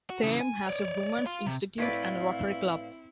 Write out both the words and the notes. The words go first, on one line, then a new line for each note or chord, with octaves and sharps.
Thame has a Women's Institute and a Rotary Club.
F#4
C#3 E3
G#5
C#5 D5
F5 C6
C3
A2 C4 E4 B4 D5 F5